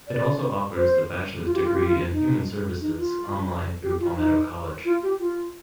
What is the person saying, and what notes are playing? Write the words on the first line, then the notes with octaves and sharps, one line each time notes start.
It also offers the bachelor's degree in human services online through Palmetto College.
D5
C5
F4
G4
F4
G4
F4
D#4
D#4
F4
G4
F4
D#4
F4
G4
F4